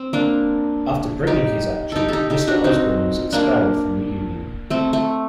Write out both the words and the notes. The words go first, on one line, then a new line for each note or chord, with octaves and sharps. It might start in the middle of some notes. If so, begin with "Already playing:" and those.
After bringing his action, Mr Osborne was expelled from the union.
Already playing: C4
A#3 D4
D#4 G4
D#4 G4 A4
D#4 G4 A4
D#4 G4
D4 F#4
C4 D#4
A#3 D4
A3 C4
A3